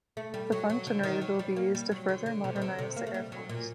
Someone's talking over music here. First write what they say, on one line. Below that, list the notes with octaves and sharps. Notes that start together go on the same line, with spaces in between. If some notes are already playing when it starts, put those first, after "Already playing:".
The funds generated will be used to further modernize the Air Force.
A3
G3
F#3
F#3
D3
D#3
F#3
G3
A#3
G3
F#3
D3
D3
C3
D#3
D3
C3
A#3
A3
G3
F#3
A#2